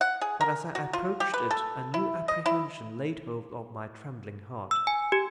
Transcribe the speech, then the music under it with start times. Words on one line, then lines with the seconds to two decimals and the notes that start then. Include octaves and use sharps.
But as I approached it a new apprehension laid hold of my trembling heart.
0.01 F#5
0.21 G#4
0.41 A#4
0.75 F#4
0.93 F4
1.20 G4
1.34 B4
1.51 A4
1.94 E4
2.28 D#5
2.46 E4
4.71 E6
4.87 G#5
5.12 G4